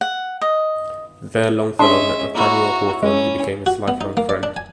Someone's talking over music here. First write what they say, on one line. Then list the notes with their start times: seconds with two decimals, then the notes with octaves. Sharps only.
There Longfellow met Nathaniel Hawthorne who became his lifelong friend.
0.01 F#5
0.41 D#5
1.79 G#3 C#4 D4 E5 C6
2.35 A#3 E4 F#4 C#5 A#5
3.03 G#3 C#4
3.66 F#4
3.88 B3
4.01 D#4
4.17 A#3
4.29 D5
4.43 D4
4.57 G#5